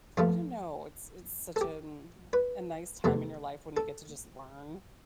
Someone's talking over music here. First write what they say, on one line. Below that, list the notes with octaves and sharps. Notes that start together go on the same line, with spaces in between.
I don't know, it's it's such an mm a nice time in your life when you get to just learn,
G2 F3 A3 F4
A4
G4
B4
E2 C3 E3 A3
A4